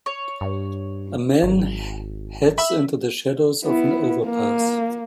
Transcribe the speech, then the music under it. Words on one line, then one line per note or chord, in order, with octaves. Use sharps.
A man heads into the shadows of an overpass.
C#5
G2
G#1
E5 B5 E6
B3 E4
A#3